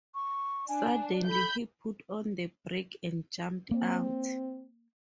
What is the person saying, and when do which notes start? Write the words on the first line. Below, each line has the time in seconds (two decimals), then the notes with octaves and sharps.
Suddenly he put on the brake and jumped out.
0.15 C#6
0.69 D4 G#5
1.27 A4 B5 G6
3.71 A#3 C4